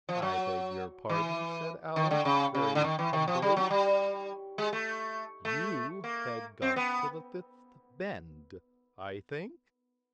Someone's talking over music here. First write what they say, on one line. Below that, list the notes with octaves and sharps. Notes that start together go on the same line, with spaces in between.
'I beg your pardon,' said Alice very humbly: 'you had got to the fifth bend, I think?'
F3
F#3
E3
D#3
D3
C#3
C#3
D3
D#3
E3
D#3
F3
G3
F#3
G3
G#3
A3
A3
A#3
C4
B3